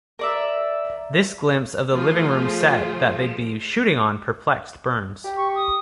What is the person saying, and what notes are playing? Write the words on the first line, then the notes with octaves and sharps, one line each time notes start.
This glimpse of the living room set that they'd be shooting on perplexed Burns.
A#4 D5 E5
F3 A3 F4 G#4 C5
G4
C#6
D#6